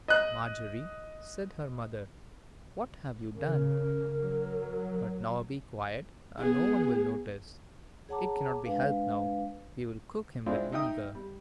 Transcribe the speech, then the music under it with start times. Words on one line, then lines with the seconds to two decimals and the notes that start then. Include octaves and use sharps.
"Margery," said her mother, "what have you done!--but now be quiet, and no one will notice; it cannot be helped now--we will cook him in vinegar."
0.08 D#5 F#6
3.35 C#3 A#4
4.18 F#3
6.38 B3 G#4
8.09 G#4 C#5 F#5 A5 A#5 D6
8.66 G#3 D4 B4 F5
10.46 G#3 C4 D4 E4 F4
10.72 D#4 E5 G5 D#6
11.15 G3